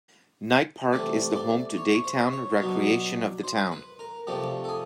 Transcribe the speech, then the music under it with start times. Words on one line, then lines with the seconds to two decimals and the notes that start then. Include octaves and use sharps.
Knight Park is the home to daytime recreation of the town.
0.93 C3 E3 A3 C4 D5
1.35 D5
1.77 C#5
1.93 C#5
2.04 C5
2.32 C#5
2.60 B2 F#3 B3 D4
3.44 C5
3.72 B4
3.99 A#4
4.27 C3 F3 A3 D4 G4
4.64 A4
4.69 G#4